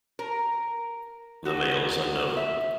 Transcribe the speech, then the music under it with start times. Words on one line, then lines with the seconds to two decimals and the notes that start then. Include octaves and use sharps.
The male is unknown.
0.19 A#4
1.45 F#4
2.37 E5